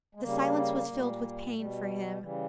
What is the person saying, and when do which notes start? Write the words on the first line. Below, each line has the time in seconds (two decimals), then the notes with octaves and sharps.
The silence was filled with pain for him.
0.15 G#3
0.20 C#3 G3 A#3
0.87 A#2 G3
1.53 B2 G3
2.19 C#3 E3 G3